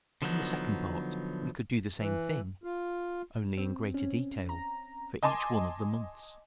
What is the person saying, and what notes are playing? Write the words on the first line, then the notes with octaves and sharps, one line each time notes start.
In the second part we could do the same thing, only in greater detail, for each one of the months.
D3 F3 F#3 B3 D#4
E3
F4
C4
C#4
A#5
D#5 G#5 A5 C6 D6